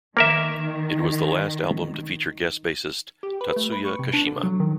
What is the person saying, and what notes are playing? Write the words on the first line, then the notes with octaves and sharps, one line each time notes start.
It was the last album to feature guest bassist, Tatsuya Kashima.
D#3 A#3 A#4 E5
G4
B4
A3
B4
C#6
C3
D4
D3
F#3
D#3